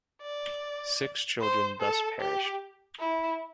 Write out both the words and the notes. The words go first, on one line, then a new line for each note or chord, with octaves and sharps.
Six children thus perished.
D5
C5
A4
G4
E4